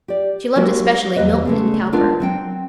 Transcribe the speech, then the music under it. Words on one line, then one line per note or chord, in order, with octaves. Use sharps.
She loved especially Milton and Cowper.
G4 D5
F#3 G#3 A#3 D4 F#4 G4
E2 F#3 A#3 G4 B4 D#5
C#3 G#3 A3
G#3 B3 D4 F4 A#4
F#3 C4 G5